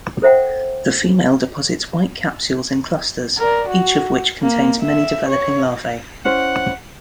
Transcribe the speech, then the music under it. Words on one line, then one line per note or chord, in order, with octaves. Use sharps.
The female deposits white capsules in clusters, each of which contains many developing larvae.
A4 C5 E5 F#5 G5
A#4 D5
F#4
A#3
E5
C#5
C#4 E4 C5 F#5